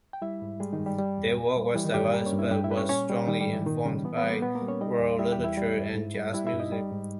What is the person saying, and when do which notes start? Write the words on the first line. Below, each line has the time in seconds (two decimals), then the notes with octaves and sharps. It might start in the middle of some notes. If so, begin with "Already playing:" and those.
Their work was diverse but was strongly informed by world literature and jazz music.
0.13 G5
0.22 G3 E4 E5
0.42 G#2
0.60 G3 G#3 G#4
0.73 D#3 D#4
0.79 G2
0.86 G3 G4
0.98 G3
1.18 E2
1.37 A#2
1.57 G3
1.74 E3 G3 E4
1.85 D#3 D#4
1.94 G2 G3 G4
2.13 G3 A#3 A#4
2.26 C#4 C#5
2.33 G2
2.39 E4 E5
2.51 G2 G4 G5
2.64 E4 E5
2.70 G3 B4
2.77 C#4 C#5
2.89 A#2 C#4 C#5
3.09 G3
3.27 D#3 G3 D#4
3.41 G3 G4
3.47 G#2
3.53 E3 E4
3.66 A#2 D#3 D#4
3.85 C#3 G3 C#4
4.04 E3 B3
4.18 B3
4.23 G3
4.30 A#3
4.42 A#2 B3
4.55 A#3 A#4
4.62 G3
4.68 C#4 C#5
4.81 G3 D#4 D#5
5.00 E2
5.19 G3 E4 E5
5.32 G4 G5
5.38 E2
5.44 E4 E5
5.58 G3
5.77 G2
5.95 G#2
6.14 G3
6.33 G3 E4 E5
6.47 E4 E5
6.53 G2
6.60 D#4 D#5
6.72 G3
6.92 G#2